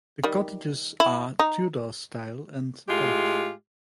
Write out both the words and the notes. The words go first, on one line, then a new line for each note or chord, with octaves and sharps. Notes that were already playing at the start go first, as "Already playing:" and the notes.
The cottages are Tudor style and thatched.
D#3 G3
E4
D#4
A2 G#3 F4 G4